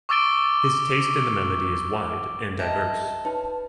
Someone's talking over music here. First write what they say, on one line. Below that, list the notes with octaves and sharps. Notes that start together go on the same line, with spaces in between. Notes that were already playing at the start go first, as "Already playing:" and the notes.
His taste in the melody is wide and diverse.
C#6 D6 E6 A6 D7 G7
A4 D#5 E5 A#5
D#4 B4 C#5 A5